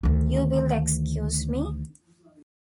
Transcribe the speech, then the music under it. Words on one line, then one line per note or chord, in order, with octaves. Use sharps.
You will excuse me.
D2 D#3